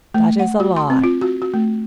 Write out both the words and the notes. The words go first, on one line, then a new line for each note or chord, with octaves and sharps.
That is a lie.
A3
F#5
F#4
C6
C4
F4
F#4
F#4
A3